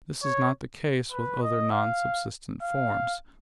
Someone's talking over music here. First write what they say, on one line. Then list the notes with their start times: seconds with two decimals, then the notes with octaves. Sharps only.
This is not the case with other non-subsistent forms.
0.23 C#5
1.12 B4
1.42 D#5
1.72 F5
2.62 F5